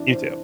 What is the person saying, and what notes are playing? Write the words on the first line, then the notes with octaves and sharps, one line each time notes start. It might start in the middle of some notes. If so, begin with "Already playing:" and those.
You too.
Already playing: E3 C4 D4 E4 D5
C5